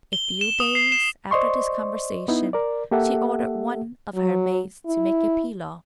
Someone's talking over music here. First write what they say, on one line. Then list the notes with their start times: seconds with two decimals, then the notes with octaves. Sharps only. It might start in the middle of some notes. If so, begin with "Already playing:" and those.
A few days after this conversation she ordered one of her maids to make a pilaw.
0.13 G7
0.41 E7
0.60 D#6
0.75 C7
0.92 E7
1.31 C5 D5 D#5 C6 C#6
2.28 B3 D#4 E4
2.53 A#4 D5
2.91 A#3 G4 A4 E5 F#5
4.15 F#3
4.86 E4